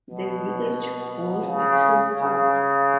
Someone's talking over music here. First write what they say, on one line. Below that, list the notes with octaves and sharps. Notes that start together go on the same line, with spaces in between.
The village boasts two pubs.
B2
C#3
C#3